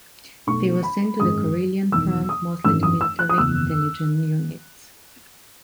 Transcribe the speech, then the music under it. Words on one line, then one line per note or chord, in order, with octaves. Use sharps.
They were sent to the Karelian front, mostly to military intelligence units.
B1 B2 A3 C#6
B5
G#1 F#2 D#3 G#3 D#6
E1 E2 D#3 E6
D#6
G#1 F#2 E3 E6
D#6
E6
F#6
D#6
F#1 E2 B2 E6